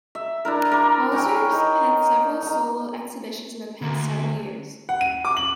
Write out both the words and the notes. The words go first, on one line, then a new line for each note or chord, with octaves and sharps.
Holzer had several solo exhibitions in the past several years.
E5
D4 E4 A#4
A#4 D6
A#4 C#5 G5 G#5
D#4
D#4 A#5
D2
F#5
D#7
D6
F#7